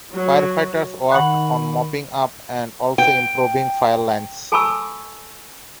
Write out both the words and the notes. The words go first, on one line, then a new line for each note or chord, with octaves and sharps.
Firefighters worked on mopping up and also improving fire lines.
F#3
D#3 F#5 B5 C#6 F#6 F#7
G5
A4 G#5 A5 B5 C#6 E6